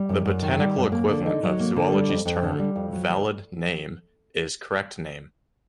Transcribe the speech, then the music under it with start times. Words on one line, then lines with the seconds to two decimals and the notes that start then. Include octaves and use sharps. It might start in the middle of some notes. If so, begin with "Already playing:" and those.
The botanical equivalent of zoology's term "valid name" is correct name.
Already playing: G3
0.09 F#2
0.25 F#2
0.42 D#3
0.59 G3
0.76 F#2
0.92 A#3
1.10 D3
1.26 D#4
1.43 F#3
1.60 A#3
1.76 D3
1.92 G3
2.09 F2
2.25 F2
2.43 D3
2.59 G3
2.76 F2
2.93 F#3
3.09 D2